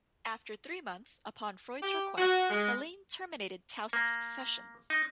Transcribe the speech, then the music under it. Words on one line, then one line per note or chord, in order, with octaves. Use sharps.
After three months, upon Freud's request, Helene terminated Tausk's sessions.
G4
F#4
G#3
A#3
D#4